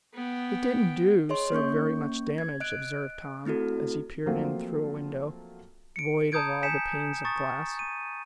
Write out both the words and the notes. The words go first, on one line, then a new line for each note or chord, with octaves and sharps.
"It didn't do so very much damage," observed Tom, as he peered in through a window, void of all the panes of glass.
B3 G5
G#4 C#5 D#5 C6
A#3 C#4 C#6 G6
G#6
D#5 F#6 D7
A3 C4 E4 F#4 A4
F3 F#3 A3 A#3 C4 F4
C#7 D7
A5 A#5 D#6 G6 G#6 D7
G#5 G6 B6 C#7 E7
A#5 C#6 D#6 A6
D#7